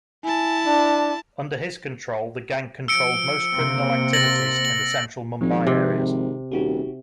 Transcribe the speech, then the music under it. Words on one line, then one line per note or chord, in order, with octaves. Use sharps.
Under his control the gang controlled most criminal activities in the central Mumbai areas.
E4 G#5 A5
D4
F3 E6 C#7 D7
C3 A#3 C4
A6 A#6 F#7
F#7
G#1 F3 C4
C3
D#1 D#4 F#4 G4